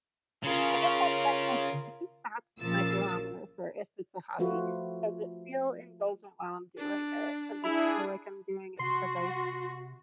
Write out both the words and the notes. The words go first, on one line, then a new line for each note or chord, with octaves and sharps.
I guess that's that's my I think that's my barometer for if it's a hobby, does it feel indulgent while I'm doing it, and does it feel like I'm doing it because I
C#3 F4 A#4
A#1 C#3 F3 A#3 E6 A6
F3 A3 F4 F#4 B4
D4
D4 E4 G#4 B5
C3 F#4 C6